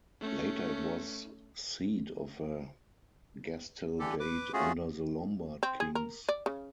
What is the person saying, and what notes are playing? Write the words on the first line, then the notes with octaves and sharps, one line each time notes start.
Later it was seat of a gastaldate under the Lombard kings.
A3 C#4
D3 E3 G4 A4
B4 D6
A3 C#4 F4 F#4 G#4
C4
G#4
A#4
D5
C#3